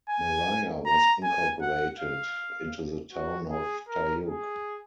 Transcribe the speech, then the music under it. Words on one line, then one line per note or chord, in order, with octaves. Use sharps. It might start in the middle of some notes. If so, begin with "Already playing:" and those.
Maria was incorporated into the town of Tayug.
G#5
A#5
G#5
F#5
F5
F#4
G#4
A#4
G#4